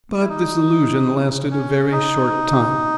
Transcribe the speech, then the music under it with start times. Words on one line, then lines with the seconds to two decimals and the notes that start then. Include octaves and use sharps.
But this illusion lasted a very short time.
0.20 E4
0.29 D#4
1.51 C#4
1.92 D#4